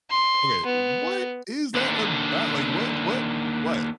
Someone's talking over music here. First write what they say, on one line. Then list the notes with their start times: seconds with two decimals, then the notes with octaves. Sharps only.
Okay, what is that about, like, what what what?
0.10 C6
0.66 B3
1.74 D#2 D3